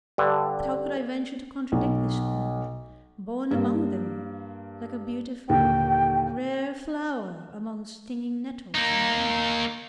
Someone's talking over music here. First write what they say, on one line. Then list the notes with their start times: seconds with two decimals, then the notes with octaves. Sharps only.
But how could I venture to contradict this Queen, born among them, like a beautiful, rare flower among stinging nettles and brambles?
0.18 G2 D3
1.72 B1
3.51 G2 A#3
5.49 D#2 A#2 D3 G5
8.74 A#3 D#4